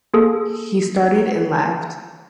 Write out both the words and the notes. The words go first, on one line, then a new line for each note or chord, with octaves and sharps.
He started, and laughed.
A#3 G#4 A4